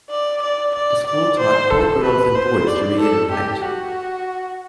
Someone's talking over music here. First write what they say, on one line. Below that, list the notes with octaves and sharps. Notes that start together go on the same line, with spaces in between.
The school taught poor girls and boys to read and write.
D5
D5
D5
D5
C5
A4
B4
C5
D5
A4
G4
F#4